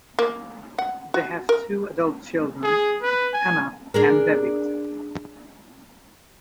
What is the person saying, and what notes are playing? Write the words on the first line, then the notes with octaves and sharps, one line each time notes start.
They have two adult children, Anna and David.
A#3
F#5
F#4
A#4
G#4
B4
G#5
D4 G#4 A#4